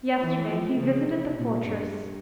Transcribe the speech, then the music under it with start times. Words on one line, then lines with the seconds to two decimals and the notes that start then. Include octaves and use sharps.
Yesterday he visited the fortress.
0.21 E3
0.49 F3
0.79 C#3
1.07 C3
1.36 A#2
1.65 G2